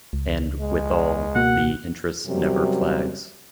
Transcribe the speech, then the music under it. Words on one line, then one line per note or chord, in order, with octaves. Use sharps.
And withal the interest never flags.
C#2
G#3
B2 A#3 F#4 F#5
F#2 C3 F#3 G3